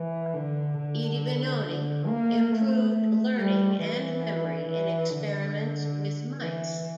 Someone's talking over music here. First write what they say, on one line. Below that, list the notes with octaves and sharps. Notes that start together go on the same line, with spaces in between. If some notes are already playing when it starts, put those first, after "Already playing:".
Idebenone improved learning and memory in experiments with mice.
Already playing: E3
D3
D3
D3
A#3
A3
G3
E3
E3
D3
E3